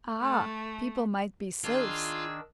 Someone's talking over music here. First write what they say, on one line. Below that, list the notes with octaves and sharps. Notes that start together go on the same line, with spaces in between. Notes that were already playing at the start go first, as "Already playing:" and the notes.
Ah! people might be sylphs.
A3
D#3 D4 F4 G#4 E6